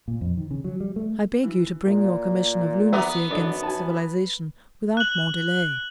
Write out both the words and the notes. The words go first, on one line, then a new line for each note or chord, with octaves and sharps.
I beg you to bring your commission of lunacy against civilization without more delay.
A#2
F2
D#3
C#3
F#3
G3
A3
E3
A#2
B3 E5 A#5 D6
F#2 D3 D4 D#5
G#5 A5
F#6 F#7